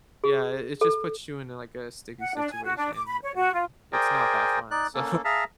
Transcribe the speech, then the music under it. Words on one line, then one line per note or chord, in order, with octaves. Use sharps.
yeah, i it just puts you into, like, a sticky situation and it's not that fun. So,
G#4
A4
F#5
D4
G#5
F#4
D4
D6
B5
C#5
F#4
F4
G#4 A#4 C5 D5 G5 G#5
D#4 D5 F#6
A#3 C#4 A4
G#4 E5 F5 A5 A#5